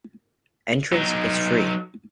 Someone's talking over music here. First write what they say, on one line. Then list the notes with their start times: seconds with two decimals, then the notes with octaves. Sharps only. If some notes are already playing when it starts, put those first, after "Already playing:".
Entrance is free.
0.93 F#3 D#4